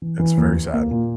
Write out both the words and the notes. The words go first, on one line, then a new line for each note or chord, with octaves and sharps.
It's very sad.
E3
E3
D#2
D#2
A#3
A#2